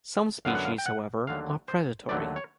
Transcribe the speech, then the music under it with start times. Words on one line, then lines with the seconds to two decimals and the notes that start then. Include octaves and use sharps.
Some species however, are predatory.
0.45 F#2 D3 F#3 B3 F5
0.55 F#5
0.65 F5
0.78 G5
0.86 F#5
1.27 D#2 D3 F#3 A3 F5
1.68 C5
2.09 D#2 D3 F#3 A3 D5
2.36 C#5